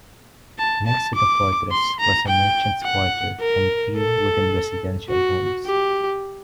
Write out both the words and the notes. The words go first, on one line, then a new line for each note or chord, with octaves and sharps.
Next to the fortress was a merchants' quarter and few wooden residential homes.
A5
A5
D6
C6
A#5
G5
F#5
A#4
A4
F#4
G4